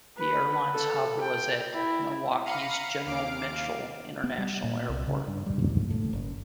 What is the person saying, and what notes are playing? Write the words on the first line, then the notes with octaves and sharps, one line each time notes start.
The airline's hub was at Milwaukee's General Mitchell International Airport.
B4
A4
G5
E4
F5 A#5 B5 C#7 D#7
D#2 F5 D6 D7
B3
G3
A#2
C2
C#3
G2
G3
D#2
A2
F#1